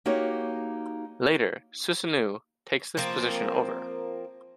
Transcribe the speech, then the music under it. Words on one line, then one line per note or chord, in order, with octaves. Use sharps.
Later Susanoo takes this position over.
A#3 D#4 F#4 G4 C#5
F3 A#3 C4